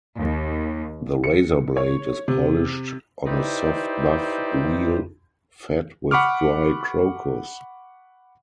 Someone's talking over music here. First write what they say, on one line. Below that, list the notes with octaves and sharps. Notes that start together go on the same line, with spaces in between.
The razor blade is polished on a soft buff wheel fed with dry crocus.
D#2
C#7
C#5
C3
D#4 E4 G4 B4 C5 D5
F#5 B5 C#6 D6 F6